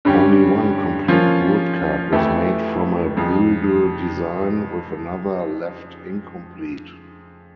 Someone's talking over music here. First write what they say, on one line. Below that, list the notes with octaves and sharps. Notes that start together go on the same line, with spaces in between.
Only one complete woodcut was made from a Bruegel design, with another left incomplete.
G2 D3 G3 C#4 G4
F3 A#3 C#4 F4
F2 E3 A3 E4 G4
F2 C#3 F3